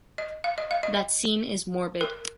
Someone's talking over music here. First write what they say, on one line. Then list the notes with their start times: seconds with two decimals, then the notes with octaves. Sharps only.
That scene is morbid.
0.18 D#5
0.44 F5
0.58 D#5
0.71 F5
0.83 D#5
2.01 A#4